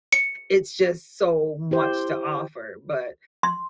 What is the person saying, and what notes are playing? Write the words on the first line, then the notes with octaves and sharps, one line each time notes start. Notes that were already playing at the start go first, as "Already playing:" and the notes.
it's just so much to offer, but
C#7
E4 G4 C5
C6